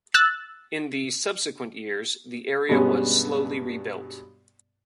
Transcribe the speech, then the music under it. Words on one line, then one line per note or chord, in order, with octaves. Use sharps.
In the subsequent years, the area was slowly rebuilt.
E6 F#6 A6
G2 B2 G3 G#3 B3 C#4